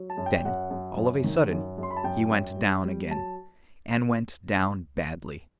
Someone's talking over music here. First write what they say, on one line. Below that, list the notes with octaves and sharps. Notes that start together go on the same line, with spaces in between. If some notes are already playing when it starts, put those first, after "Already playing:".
Then, all of a sudden, he went down again, and went down badly.
Already playing: F#3
A5
F#2
G5
F#2 F#5
F#2
F#2
D#3
F#2
F#2
C6
B5
A5
F#2 G5
F#2
G3
G3
F#3 A5